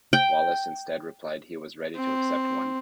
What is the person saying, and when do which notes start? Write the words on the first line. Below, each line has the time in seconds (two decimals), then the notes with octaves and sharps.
Wallis instead replied he was ready to accept one.
0.13 G5
1.96 C4